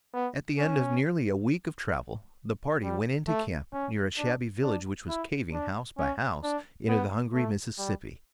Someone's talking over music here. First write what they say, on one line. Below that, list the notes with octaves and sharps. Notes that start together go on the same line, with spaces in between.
At the end of nearly a week of travel, the party went into camp near a shabby village which was caving, house by house, into the hungry Mississippi.
B3
C#4
G3
A3
C#4
D4
D4
E4
D4
C#4
D4
B3
A3
G3